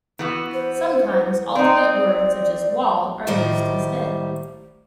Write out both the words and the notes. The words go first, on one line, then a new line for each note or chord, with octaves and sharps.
Sometimes alternate words, such as "wall," are used instead.
E3 B3 F#4
C5
C4 D#4 D5
A2 D#3 G3 A#4 C5 D5